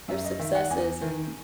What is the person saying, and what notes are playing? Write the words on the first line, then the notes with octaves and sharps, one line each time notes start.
their successes, and
F#2 E5
D#5
D#3 E5
F#5
E2 G#5
D#3